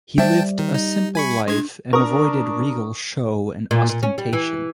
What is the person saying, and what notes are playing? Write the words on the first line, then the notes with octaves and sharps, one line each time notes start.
He lived a simple life and avoided regal show and ostentation.
G3 C5 E5 G5 A5
D#3
D#4
G#5 B5 C#6
G#3 D4 G#6
D4 A#4 C#6 D#6
A#2
A#2
C#4
G3
E3